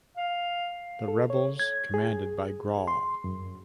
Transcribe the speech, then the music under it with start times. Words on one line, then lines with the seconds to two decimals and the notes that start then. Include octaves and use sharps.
The rebels commanded by Gral.
0.17 F5
1.08 A4
1.30 C#5
1.59 G#6
1.94 G#4
2.88 C6
3.24 F#2